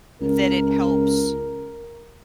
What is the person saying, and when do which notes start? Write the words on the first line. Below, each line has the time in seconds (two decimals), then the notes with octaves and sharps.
that it helps
0.21 C#2 A#4